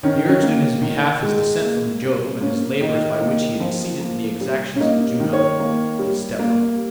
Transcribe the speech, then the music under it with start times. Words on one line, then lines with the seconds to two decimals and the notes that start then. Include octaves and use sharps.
He urged in his behalf his descent from Jove and his labors by which he had exceeded the exactions of Juno, his stepmother.
0.03 D#3 C#4
0.29 C#4
0.43 A#3
0.82 D#3
1.22 G#3
1.61 A#3
2.02 G3
2.41 A#3 C#4
2.81 D#3 D#4
3.20 A#3
3.60 F3
4.00 A#3
4.40 G3
4.75 C#4
4.80 A#3 D#4
5.20 D#3
5.33 C#5
5.60 A#3
5.99 G3
6.39 A#3